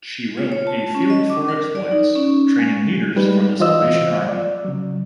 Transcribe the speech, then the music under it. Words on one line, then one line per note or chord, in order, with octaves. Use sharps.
She wrote "A Field For Exploits: Training Leaders For The Salvation Army".
F4
C#5
A5
C#4
D#5
D6
A#4
D5
D#4
C#4
G#3
G3 G#3 D#4 B4
E3 F4 C5 D#5 E6
D5
C#3 F#3